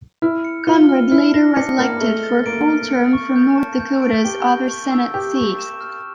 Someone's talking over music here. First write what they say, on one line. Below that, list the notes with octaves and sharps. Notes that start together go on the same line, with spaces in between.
Conrad later was elected for a full term from North Dakota's other Senate seat.
E4 F6
C#7
F4 G7
F6
E4 F6
A#6
D4 C#7
A#3 F6
A3 G7
A6
A#3 D7
F6
C#7
C#6
G6
A5
G6
D7
G4 G7
G6
C#6
E6
G4 G6
C#6
E7
F6